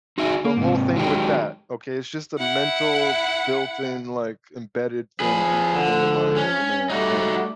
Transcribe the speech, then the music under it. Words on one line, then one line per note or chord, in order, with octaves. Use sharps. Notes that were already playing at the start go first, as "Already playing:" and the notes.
the whole thing with that, okay, is just a mental built-in, like, embedded thing deep within the mind of a man and
D#4 F#4 G#4 E5
A#3
G#2 C3
D#3 F#3 G#3 A#3 D#4 G4
E4 F#5
F3 G#4 B4
D3
C#4
G3 A3 D#4 F#4